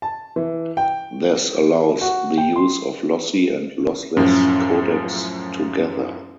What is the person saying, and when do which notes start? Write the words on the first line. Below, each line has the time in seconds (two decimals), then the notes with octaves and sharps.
This allows the use of lossy and lossless codecs together.
0.02 A5
0.36 E3
0.77 G5
2.01 F#4
2.37 G5
2.56 C6
4.17 F#2 A2 F3 C#4